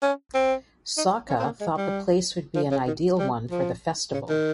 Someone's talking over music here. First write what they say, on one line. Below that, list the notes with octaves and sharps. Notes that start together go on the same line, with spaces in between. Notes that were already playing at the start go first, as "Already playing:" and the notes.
Sokka thought the place would be an ideal one for the festival.
C#4
C4
D#4
C#4
C4
A#3
G#3
G3
F3
C#3
D#3
G3
F3
C#3
D#3